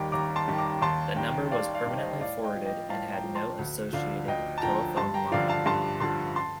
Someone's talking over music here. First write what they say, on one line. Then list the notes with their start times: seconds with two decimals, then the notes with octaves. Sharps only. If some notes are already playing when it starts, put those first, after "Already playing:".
The number was permanently forwarded and had no associated telephone line.
Already playing: D#2 D#3 G3 A#5 D6
0.12 D#2 A#5 D6
0.36 A5 C6
0.48 D#3 G3
0.58 A#5 D6
0.82 D#2 A5 C6
1.16 D#3 G3 G5 A#5
1.51 D#2 D5 F5
1.74 D5 F5
1.86 D#3 G3
1.97 C5 D#5
2.21 A2 D5 F5
2.43 D#5 G5
2.56 F3
2.66 D#5 G5
2.89 A2 F5 A5
3.13 G5 A#5
3.24 F3
3.35 A5 C6
3.59 D2
3.93 D3 F3 D5 F5
4.28 D2 D#5 G5
4.58 A5
4.62 D3 F3 G5 A#5
4.96 G2 A5 C6
5.14 G5 A#5
5.32 D3 F3 D5 F5
5.48 F5 A5
5.66 G2 A5 C6
6.00 D3 F3 A5 C6
6.36 A5 C6